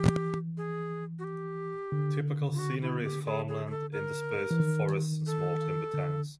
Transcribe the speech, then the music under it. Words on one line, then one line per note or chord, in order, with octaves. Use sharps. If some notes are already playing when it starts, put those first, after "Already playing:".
Typical scenery is farmland interspersed with forests and small timber towns.
Already playing: E3 G4
G#4
F#4
G4
D3
F4
F#4
E4
G4
G#4
G#4
G#4
A4
A#4
E3
D#3
A4
D3